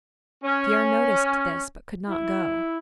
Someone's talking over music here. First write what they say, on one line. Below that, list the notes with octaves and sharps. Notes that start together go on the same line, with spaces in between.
Pierre noticed this but could not go.
C#4
E4